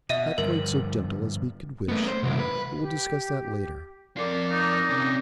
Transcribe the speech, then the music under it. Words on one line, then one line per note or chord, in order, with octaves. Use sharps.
Not quite so gentle as we could wish, but we'll discuss that later.
B2 D#5 E5 D#7
G2 D3 F3 A#4
A3 B3
C5
C2 F#2
B4
G4
F2 F4 A#4 D5 D6
D#4
C3 C#4